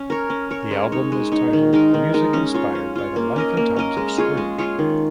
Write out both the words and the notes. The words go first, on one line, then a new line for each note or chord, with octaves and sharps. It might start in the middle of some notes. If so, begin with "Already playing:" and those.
The album is titled "Music Inspired by the Life and Times of Scrooge".
Already playing: C#4
A#4 C#5
C#4
A#4 C#5
G#3
D#4 C#5
G#3
D#4 C#5
D#3
G#3 D#4 A#4
D#3
G#3 D#4 A#4
C#4
F4 C#5
C#4
F4 C#5
A#3
C#4 A#4 D#5
A#3
C#4 A#4 D#5
G#3
F4 G#4 C#5
G#3
F4 G#4 C#5
D#3